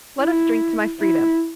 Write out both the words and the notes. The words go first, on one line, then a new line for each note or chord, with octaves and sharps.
Let us drink to my freedom.
E4
E4